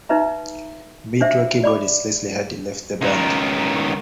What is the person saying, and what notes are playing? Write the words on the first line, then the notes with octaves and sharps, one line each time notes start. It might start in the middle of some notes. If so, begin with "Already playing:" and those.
Mid-tour, keyboardist Leslie Hardy left the band.
D#4 B4 E5 A#5
D4 C5 E5
D5 B5 D6
C#2 D#3